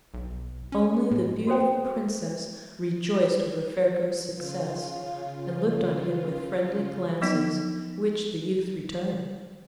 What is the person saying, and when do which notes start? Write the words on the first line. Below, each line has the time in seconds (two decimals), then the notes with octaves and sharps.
Only the beautiful Princess rejoiced over Ferko's success, and looked on him with friendly glances, which the youth returned.
0.14 B1
0.72 C#4
1.11 A2
1.47 F#4 A4 C5 G5
4.36 C#3 F4
7.22 F3 F#3 B3 D#4